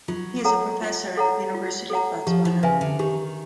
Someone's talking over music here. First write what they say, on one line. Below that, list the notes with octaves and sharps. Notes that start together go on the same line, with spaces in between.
He is a professor at the University of Botswana.
F#3 F4
A4 C#5 F#5 A#5
F4
A4 C#5 F#5 A#5
F4
A4 C#5 F#5 A#5
F3 G4
F3
C#3 B4 E5 G#5
D3
D#3 G4